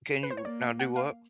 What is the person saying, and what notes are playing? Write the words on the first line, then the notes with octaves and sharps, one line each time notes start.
can you now do what?
B4
C5
C#5
A#3 D5
F5
F#5
F5